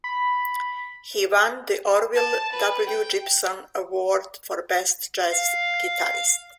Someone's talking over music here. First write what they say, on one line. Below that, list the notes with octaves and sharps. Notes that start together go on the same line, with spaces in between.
He won the Orville W. Gibson Award for Best Jazz Guitarist.
B5
A5
B4
G5
F5